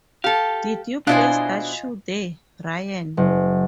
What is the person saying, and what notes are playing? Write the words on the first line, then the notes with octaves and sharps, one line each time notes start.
Did you place that shoe there, Ryan?
G4 A4 F5
B2 D4 E4 F4 C5 D#5 G#5
F#1